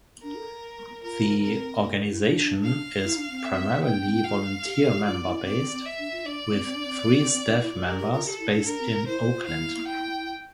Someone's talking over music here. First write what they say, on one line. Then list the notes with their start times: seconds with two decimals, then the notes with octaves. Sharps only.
The organization is primarily volunteer member-based, with three staff members based in Oakland.
0.23 D4 A#4
0.36 A4
1.03 F4 A#4
1.43 C4 A#4
1.83 A#3
2.10 E4
2.24 D4
2.64 F5
3.04 E4
3.17 D4
3.30 C4
3.45 E5
3.84 A#3 G5
4.04 C4
4.24 F4 F5
4.65 G4
4.79 A4
4.92 G4
5.05 F4 D5
5.25 E4
5.45 C4 D5
5.58 C4
5.72 C4
5.85 E5
5.98 D4
6.12 F4
6.25 D4 D5
6.52 C4
6.65 C4
6.75 D4
6.85 C4
7.06 C4
7.19 C4
7.33 C4
7.46 D4
7.60 E4
7.73 F4
7.86 G4 A#4
7.99 G4
8.13 F4
8.26 G4 A4
8.40 E4
8.53 D4
8.66 D4 A#4
8.80 C4
9.07 E4 C5
9.21 F4
9.34 F4
9.46 E4 F5
9.88 G5